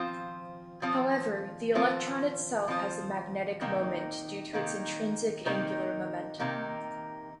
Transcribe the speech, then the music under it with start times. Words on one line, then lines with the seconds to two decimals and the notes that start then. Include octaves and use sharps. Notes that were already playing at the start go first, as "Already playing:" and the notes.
However, the electron itself has a magnetic moment due to its intrinsic angular momentum.
Already playing: F3 C4 F4 C5
0.82 F3 C4 F4 C5
1.75 F3 C4 F4 C5
2.68 F3 C4 F4 C5
3.61 C3 D#3 A#3 D#4
4.53 C3 D#3 A#3 D#4
5.46 C3 D#3 A#3 D#4
6.39 C3 D#3 A#3 D#4